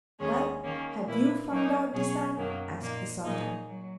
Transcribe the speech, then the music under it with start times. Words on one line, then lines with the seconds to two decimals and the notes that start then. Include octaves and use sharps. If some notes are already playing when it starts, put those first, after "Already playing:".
'Well, have you found out this time?' asked the Sultan.
0.19 D#2 D#3 G#3 C#4 G#4
0.63 D#3 A#3 C#4
1.06 A#2 A#3 E4 B4
1.50 F#3 A#3 D#4
1.93 B2 F#3 C#4 G#4 C#5
2.37 F#2 D#3 F#3 A#3
2.80 A#2 A#3 D#4
3.24 A#2 F#3 A#3 D#4 G#4
3.68 F#3